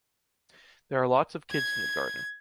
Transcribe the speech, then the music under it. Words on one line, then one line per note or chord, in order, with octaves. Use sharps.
There are lots of kids in the garden.
G#6